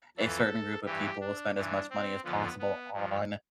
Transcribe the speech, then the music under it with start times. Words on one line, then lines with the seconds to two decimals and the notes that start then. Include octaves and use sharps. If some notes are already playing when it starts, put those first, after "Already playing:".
a certain group of people will spend as much money as possible on
0.17 F2 E3 A4
0.86 G2 E3 G4
1.21 D4
1.55 G2 E3 D4
1.90 C4
2.24 F2 D3 F3 B3
2.58 B3
2.93 G2 F3